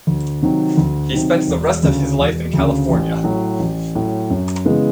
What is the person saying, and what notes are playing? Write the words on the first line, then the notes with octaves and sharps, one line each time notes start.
He spent the rest of his life in California.
D2
C3 D#3 F#3
D2
C3 D#3 F#3
E1
D2 C#3
E1
D2 C#3
A1
A2 F#3
A1
A2 F#3
F#2
C#3 E3 G#3 B3